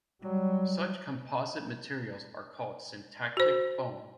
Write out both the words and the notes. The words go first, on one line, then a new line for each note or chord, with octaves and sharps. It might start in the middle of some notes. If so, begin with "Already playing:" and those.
Such composite materials are called syntactic foam.
F#3 G3
F#4 C5